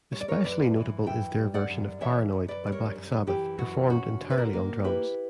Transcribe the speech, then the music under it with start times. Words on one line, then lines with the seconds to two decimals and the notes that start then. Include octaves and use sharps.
Especially notable is their version of "Paranoid" by Black Sabbath performed entirely on drums.
0.12 G3 C#5
0.21 D5
0.28 A#4 C#5
0.44 F#2 B4 D5
0.76 E3
1.06 F#2 E5 G5
1.38 G3
1.54 D5 F#5
1.70 F#2
2.01 E3 C#5 E5
2.32 F#2
2.48 B4 D5
2.64 G3 D5
2.72 A#4 C#5
2.96 F#2
3.27 E3 G4
3.58 F#2 F#4
3.90 C#4 F#4
4.21 D3
4.30 B4
4.37 F#4 A#4
4.53 A#3
4.84 E4 G4 B4